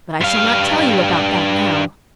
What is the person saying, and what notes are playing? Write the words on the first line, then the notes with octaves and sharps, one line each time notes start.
But I shall not tell you about that now.
G2 F5